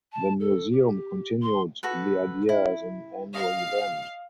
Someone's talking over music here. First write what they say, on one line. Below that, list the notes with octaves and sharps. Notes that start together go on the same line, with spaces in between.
The museum continued the idea as an annual event.
A5
A4
G4
C6
F#4 A4 B4
E4
D#5 F5